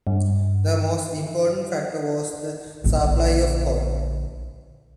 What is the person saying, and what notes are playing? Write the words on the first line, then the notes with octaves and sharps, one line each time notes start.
The most important factor was the supply of cod.
G2
A#1 D3